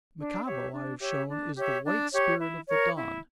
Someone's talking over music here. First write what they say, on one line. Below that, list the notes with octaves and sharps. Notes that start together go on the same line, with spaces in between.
Michabo, I have shown, is the white spirit of the Dawn.
D4
G4 C#5 E5
D4
G4 C#5 E5
D4
G4 C#5 E5
D4
G4 C#5 E5
E4
A#4 C#5
E4